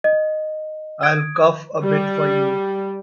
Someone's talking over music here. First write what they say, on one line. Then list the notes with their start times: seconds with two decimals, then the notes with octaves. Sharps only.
I'll cough a bit for you.
0.04 D#5
1.03 D#6 G#6 D7
1.84 G3